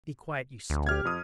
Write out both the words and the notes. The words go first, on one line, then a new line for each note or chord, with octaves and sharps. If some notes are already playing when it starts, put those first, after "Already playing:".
Be quiet, you stupid!
D2
G4 F6 G#6
F2 D#6